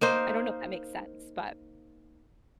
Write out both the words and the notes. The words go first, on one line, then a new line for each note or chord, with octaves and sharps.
uh, I don't know if that makes sense, but
A#3 D#4 C5